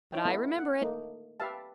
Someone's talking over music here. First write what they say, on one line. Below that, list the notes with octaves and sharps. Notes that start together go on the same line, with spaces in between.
But I remember it.
D#4 E4 C#5 G5
A3 B3 E4
F#5
A3 A#3 D#4
G4 B4 E5 F5 A5